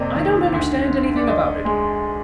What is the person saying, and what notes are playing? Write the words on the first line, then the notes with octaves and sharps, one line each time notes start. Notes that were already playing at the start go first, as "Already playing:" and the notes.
I don't understand anything about it.
Already playing: F2 C3 A#3 D5 D#5
D#3
D2
D3
D5
D2 D#5
G#3